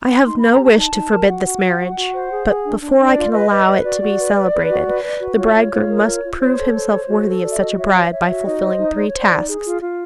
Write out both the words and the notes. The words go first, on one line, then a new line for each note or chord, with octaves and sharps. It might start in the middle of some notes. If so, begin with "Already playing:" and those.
'I have no wish to forbid this marriage; but, before I can allow it to be celebrated, the bridegroom must prove himself worthy of such a bride by fulfilling three tasks.
D#4 C6
A#4 B5
A#5
G4 A5
A#5
D#4 A5
D#4
A#4
F#4 F#5
F#4
F#4
F#4
F#4
C5
G#4
G#4
D4
D4
D4
D5
F4
B4 D#5
B4
B4
F#4 D5
F#4
B4
B4
B4
F#4
B4
B4
F#4
F4 C#5
F4
F4
A#4
F4
F4
C5 C#5
A4
C5
C5
F#4
A4
F#4 D5
E5
F#4 D#5
C#5 E5
C#5 F5
C#5 E5
F#4 E5
D#4 D#5
C5
D#4
C5 D5
C#5
C5
D5
D#4
G#4
F4
F4